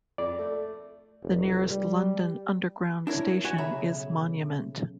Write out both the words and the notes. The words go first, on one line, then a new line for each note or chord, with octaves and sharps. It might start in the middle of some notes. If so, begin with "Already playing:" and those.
The nearest London Underground station is Monument.
F2 D5
A3
F1
G3
D4 E4 A#4 C#5
G2 F#4 G#5
B1 C#3 E5 A#5 B5